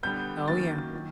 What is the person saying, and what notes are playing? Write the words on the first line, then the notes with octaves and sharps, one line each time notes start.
Oh, yeah.
D3 G3 B3 G6
F#2 D#3 F#3 A#3 A6
D#3 F#3